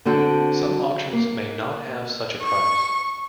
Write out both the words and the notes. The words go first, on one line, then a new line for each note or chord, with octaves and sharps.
Some auctions may not have such a price.
D3 C4 F#4 A4
A#3
C#6